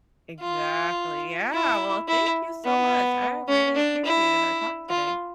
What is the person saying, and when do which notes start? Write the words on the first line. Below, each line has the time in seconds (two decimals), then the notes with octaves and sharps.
Exactly. Yeah, well, thank you so much, I really appreciated our talk today.
0.41 F4
1.53 E4
2.08 E4
2.65 B3
3.48 C#4
3.76 D4
4.06 E4
4.89 F4